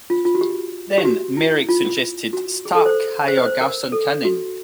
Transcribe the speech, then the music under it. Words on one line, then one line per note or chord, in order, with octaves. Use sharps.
Then Merrick suggested Stark hire Garson Kanin.
F4
F4
F#4
G4
G4
F#4
E4
F4
F#4
G#4
A4
C5
C5
B4
C5
A#4
A4
F#4